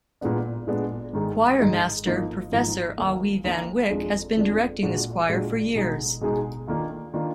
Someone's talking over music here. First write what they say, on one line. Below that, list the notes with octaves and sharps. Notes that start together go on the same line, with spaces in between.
Choir master prof. Awie van Wyk has been directing this choir for years.
A#2 G#3 B3 D4
A#2 G#3 B3 D4
G#2 D#3 G#3 D#4
G#2 D#3 G#3 D#4
G#2 F3 A#3 D#4
G#2 F3 A#3 D#4
D#2 D#3 A#3
D#2 D#3 A#3
F2 F3 G#3 D4
F2 F3 G#3 D4
A#2 G#3 D4 F#4
A#2 G#3 D4 F#4
B2 G#3 D#4 G#4
B2 G#3 D#4 G#4
D#2 D#3 A#3 D4 F4
D#3 A#3 D4 F4